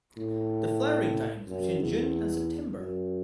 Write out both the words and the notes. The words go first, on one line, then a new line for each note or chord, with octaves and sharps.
The flowering time is between June and September.
A2
F#2
E2
F#2